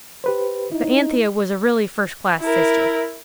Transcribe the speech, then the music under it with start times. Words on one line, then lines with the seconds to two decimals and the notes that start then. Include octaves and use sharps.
But Anthea was a really first-class sister.
0.24 G4 B4 C5
0.72 D#4 E4
2.40 E4 A#4